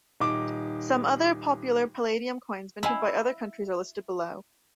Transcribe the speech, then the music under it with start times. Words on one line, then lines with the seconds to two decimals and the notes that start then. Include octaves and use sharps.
Some other popular palladium coins minted by other countries are listed below.
0.20 D#1 D#4 D6
2.83 E4 C#5 D#5 F5 G#5